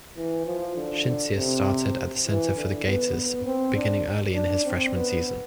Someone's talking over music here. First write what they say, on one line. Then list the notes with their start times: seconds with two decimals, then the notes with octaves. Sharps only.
Schintzius started at center for the Gators beginning early in his freshman season.
0.16 E3
0.46 F3
0.75 D3
1.36 C3
2.26 E3
2.56 D3
2.85 B3
3.15 B3
3.45 C4
3.75 D4
4.35 D4
4.65 C4
4.94 B3